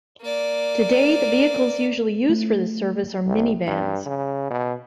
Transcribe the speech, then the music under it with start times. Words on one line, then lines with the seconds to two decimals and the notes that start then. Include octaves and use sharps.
Today, the vehicles usually used for this service are minivans.
0.21 A#3 D5
2.29 A3
3.26 C2
3.67 G2
4.06 C#3
4.51 B2